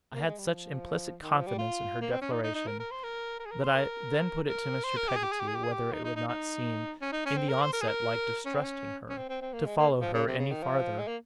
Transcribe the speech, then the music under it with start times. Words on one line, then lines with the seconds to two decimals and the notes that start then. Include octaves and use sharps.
I had such implicit confidence in her declaration, that I then put it to Mr. Peggotty, whether it would not seem, in the onset, like distrusting her, to follow her any farther.
0.14 A#3
0.26 G#3
0.39 G3
0.51 F3
1.22 D#3
1.35 F3
1.47 G3
1.58 F4
2.01 A#3
2.11 C4
2.22 C#4
2.31 D#4
2.43 D#4
2.55 D#4
2.67 A#4
2.80 A#4
2.91 C5
3.03 A#4
3.40 A#4
3.45 G#4
3.51 A#4
3.63 C5
3.76 A#4
4.48 A#4
4.84 C5
4.97 A#4
5.08 G4
5.16 G#4
5.24 G4
5.32 G#4
5.40 G4
5.48 G#4
5.55 G4
5.64 G#4
5.72 G4
5.93 D#4
6.04 D#4
6.16 D#4
6.28 D#4
7.01 C#4
7.12 D#4
7.26 C#4
7.37 C4
7.49 A#4
7.62 C5
7.73 A#4
7.81 G#4
7.88 A#4
8.46 C#4
8.54 C4
8.64 C#4
9.10 C#4
9.18 C4
9.30 C4
9.41 C4
9.53 A#3
9.66 G#3
9.77 A#3
10.02 F3
10.14 C#3
10.27 C3
10.39 C#3
10.51 D#3
10.63 F3
10.99 G#3
11.08 A#3